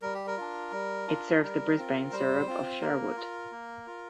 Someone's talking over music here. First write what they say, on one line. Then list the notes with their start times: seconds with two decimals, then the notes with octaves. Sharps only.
It serves the Brisbane suburb of Sherwood.
0.02 G3 A#4
0.14 G4
0.27 A#4
0.37 D4 F4
0.72 G3
1.07 D4 F4
1.42 G3 A#4
1.77 C4 F4
2.12 G3 C5
2.47 C4 F4
2.81 A#3 A#4
3.17 F4
3.52 A#3
3.87 F4